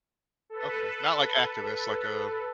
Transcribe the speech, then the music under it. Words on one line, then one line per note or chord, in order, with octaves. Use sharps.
Okay, not like activists like a
A4 B4